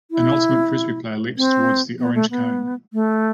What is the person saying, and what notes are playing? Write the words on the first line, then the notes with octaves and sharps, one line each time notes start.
An Ultimate Frisbee player leaps toward the orange cone.
E4
C4
B3
A3
B3
A3